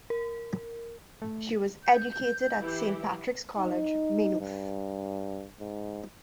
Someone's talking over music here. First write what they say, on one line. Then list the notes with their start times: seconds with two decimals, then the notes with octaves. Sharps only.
She was educated at Saint Patrick's College, Maynooth.
0.10 A#4
1.22 A3
1.84 G6
2.58 E3 E4 G4
3.58 D#4
4.41 G2
5.60 G#2